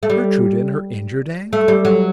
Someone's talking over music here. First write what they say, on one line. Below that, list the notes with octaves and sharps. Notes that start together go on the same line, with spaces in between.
Gertrude and her injured ankle!
A3
G3
A3
G3
F#3